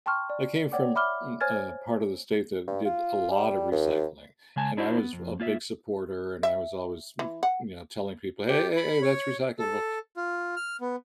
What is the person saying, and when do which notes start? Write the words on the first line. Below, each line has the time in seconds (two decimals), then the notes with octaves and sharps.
I came from m a part of the state that did a lot of recycling, and I was a big supporter, and I was always, m you know, telling people, "Hey, hey, hey that's recyclable,"
0.06 G5 A5 C6 C#6 F6
0.30 D5
0.72 C#5 D5 F#5 G5 D6
0.95 E5 B5 D6 F6 G7
1.40 C5 C#5 G#5 F6 G#6 A6
2.68 G2
2.86 F4
3.31 G3
3.72 D#2
4.56 C#3 G#3 G#5 A5
4.77 D4 E4 F#4 C5
4.98 B3
5.13 F2
5.40 A#3 F4 D5 E5
6.43 E5
7.19 E3
7.43 F#5
8.49 G4
8.76 B5
9.02 C#5
9.59 A4
10.17 F4
10.56 F6
10.81 B3